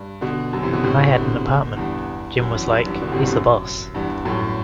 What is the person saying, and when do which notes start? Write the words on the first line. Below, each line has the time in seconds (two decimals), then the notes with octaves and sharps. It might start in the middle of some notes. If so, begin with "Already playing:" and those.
I had an apartment; Jim was, like, "He's the Boss".
Already playing: G2
0.21 B2 D3
0.53 F#2
0.62 C3 E3
0.73 B2 D3
0.84 A2 C3
1.14 B2 D3
1.77 E2 G2
2.39 F#2
2.55 E2
2.71 F#2
2.86 E2 G2
3.02 B2 D3
3.12 A2 C3
3.23 G2 B2
3.32 F#2
3.95 E2 G2
4.25 F#2 A2